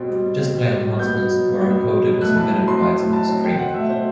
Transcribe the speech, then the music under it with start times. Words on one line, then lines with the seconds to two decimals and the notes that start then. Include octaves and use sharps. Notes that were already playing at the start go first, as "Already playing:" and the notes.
Display enhancements were encoded as embedded bytes in the stream.
Already playing: B2 C4
0.08 G3
0.23 B2
0.39 C4
0.54 B2
0.69 G3
0.84 B2
0.99 B3 G6
1.15 B2
1.30 F#3
1.45 B2
1.61 B3
1.76 B2
1.91 F#3
2.06 B2
2.21 A3 F#6
2.36 A2 A5
2.52 F#3
2.67 C4 C6
2.83 A3 C6
2.98 A2
3.13 F#3 A5
3.28 C4
3.44 C4 G5
3.59 B2 F#5
3.74 A3 E5
3.89 B2 C5